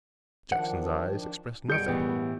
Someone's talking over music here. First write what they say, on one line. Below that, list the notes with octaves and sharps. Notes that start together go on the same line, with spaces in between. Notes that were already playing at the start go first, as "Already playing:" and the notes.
Jackson's eyes expressed nothing.
D#3 F3 D4 F#5
F#2 B2 G3 G#4 G6 C#7 D7
A2 E3 B3 G4